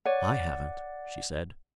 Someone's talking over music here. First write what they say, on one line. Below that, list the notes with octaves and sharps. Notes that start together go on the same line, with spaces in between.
"I haven't," she said.
C#5 D5 F#5